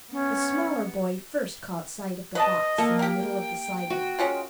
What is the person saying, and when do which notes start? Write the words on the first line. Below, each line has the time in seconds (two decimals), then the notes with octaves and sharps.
The smaller boy first caught sight of the box in the middle of the sidewalk.
0.12 B3 C#4
2.35 B4 D#5 A5
2.78 A#3 A4
2.99 G4 A#4 G5
3.90 F#4
4.19 G#3 C#4 F4